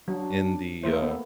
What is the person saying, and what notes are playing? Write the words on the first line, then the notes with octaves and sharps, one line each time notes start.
in the, uh,
F#3 D4
A3 A#3 C5 E5
B3 A4